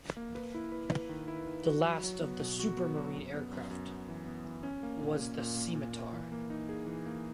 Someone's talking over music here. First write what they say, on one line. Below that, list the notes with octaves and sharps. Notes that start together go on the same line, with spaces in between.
The last of the Supermarine aircraft was the Scimitar.
A#3
B4
E4
B4
B4
D#3
E4
D#3
F#4
F#3
F#3
B3
B2
F#4
B3
F#3
F#2
B3
F#2
F#2
B3
E3
B3
E3
C#4
A#3
A#2
A#3
A#2
A#3
A#2
A#3
E3
A#3
D#4
G#4
E3
A#3